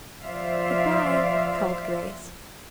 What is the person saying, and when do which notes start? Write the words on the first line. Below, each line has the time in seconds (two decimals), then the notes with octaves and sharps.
"Good-bye," called Grace.
0.24 F3 C5 D5 E5 F5